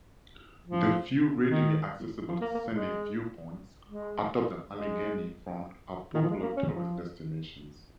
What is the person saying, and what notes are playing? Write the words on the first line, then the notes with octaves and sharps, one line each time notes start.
The few readily accessible scenic viewpoints atop the Allegheny Front are popular tourist destinations.
F3
D#3
F3
A#3
A#3
G#3
G#3
G#3
D#3
F3
G#3
A#3
C#4
F3